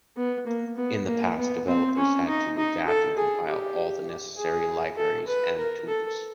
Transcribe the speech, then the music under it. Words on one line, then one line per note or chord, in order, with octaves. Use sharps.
In the past, developers had to adapt and compile all the necessary libraries and tools.
B3
A#3
B3
A#3
B3
C4
C#4
D#4
D#4
A4
G#4
G4
G#4
A4
B4
A#4
A4